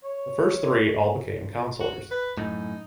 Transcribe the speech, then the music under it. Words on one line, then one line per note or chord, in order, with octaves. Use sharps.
The first three all became councilors.
C#5
F#4
B4
F#2 A2 D#4